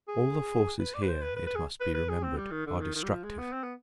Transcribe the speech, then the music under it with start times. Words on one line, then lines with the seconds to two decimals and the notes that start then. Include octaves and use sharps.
All the forces here, it must be remembered, are destructive.
0.08 G#4
0.79 B4
0.94 D5
1.03 B4
1.09 C5
1.22 B4
1.36 B4
1.47 B4
1.56 G#4
1.80 B4
1.95 B4
2.09 G#4
2.23 C4
2.37 G3
2.51 D#3
2.66 D3
2.81 D#3
2.95 D#3
3.03 G3
3.09 F3
3.24 G#3
3.38 B3
3.52 C4
3.63 B3